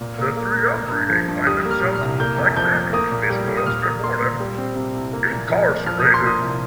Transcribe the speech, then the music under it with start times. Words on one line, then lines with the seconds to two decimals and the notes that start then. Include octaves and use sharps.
The Triumvirate find themselves-like many English Royals before them-incarcerated.
0.01 A#2
0.18 A#3
0.37 A#3
0.55 A#2
0.73 A#3
0.92 G2
1.10 F3
1.28 G2
1.47 G3 D#6
1.65 A#3
1.71 F6
1.83 A#2
1.95 F6
2.01 C2
2.20 A#3 G6
2.38 F2
2.56 F3 G6
2.75 F2
2.93 A#3 D#6
3.11 A#2
3.30 G3
3.48 A#2
3.57 D#6
3.66 A#2 F6
3.85 A#3
4.03 A#3 C6
4.22 A#2
4.40 G3
4.58 C4
4.76 C3
4.95 C2
5.13 A#3
5.32 A#2
5.50 F3
5.68 A#2
5.86 F3 F6
6.00 A#3 D#6
6.14 C6
6.23 A#2 D#6
6.42 C2